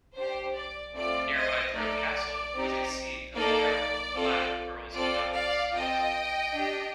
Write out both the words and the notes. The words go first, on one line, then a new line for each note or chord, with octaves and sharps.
Nearby Threave Castle was a seat of the powerful "Black" Earls of Douglas.
D4 G4 C5
D5
A3 C4 F4 A4 D5
C5 D#5
A3 D#4 A4 D5
C4 D#4 G4
A#3 D#4 A4 D5
C4 F4 A4
C4 F4 A4 D5
D5 F5
C4 F4 A4 D#5 G5
D4 G4